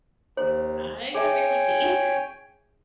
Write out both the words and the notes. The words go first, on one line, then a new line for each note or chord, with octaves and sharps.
I could barely see.
D#2 C5
G#4 C#5 E5 G5 G#5